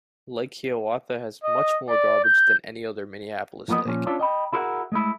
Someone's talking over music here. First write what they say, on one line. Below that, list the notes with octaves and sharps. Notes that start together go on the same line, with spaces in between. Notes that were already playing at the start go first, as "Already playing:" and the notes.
Lake Hiawatha has much more garbage than any other Minneapolis lake.
D#5
D5
G6
E3 F3 A#3 B3 D#5
A#2 F3 C#4
C#4 D4 F4 A4 C#5 D5
D#5 G5 B5
E4 F#4 G#4 A#4 E5 F#5
G#3 A3 E4